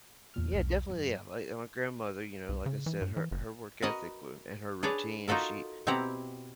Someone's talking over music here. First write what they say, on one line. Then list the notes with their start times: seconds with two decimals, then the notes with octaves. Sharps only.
Yeah definitely, yeah, like, my grandmother, you know, like I said, her her work ethic w and her routine, she
0.34 E2 A#2 F6
0.52 B1 A3
0.90 F#2
2.49 C2
2.66 C#3
2.86 E3
3.02 G2
3.17 E3
3.31 F#1
3.82 F#4 A#4 B4 D#5
4.83 D4 G#4 B4 C#5 D5
5.28 D#4 F4 F#4 A4 A#4
5.87 B2 C4 E4 G4 F#5 A#5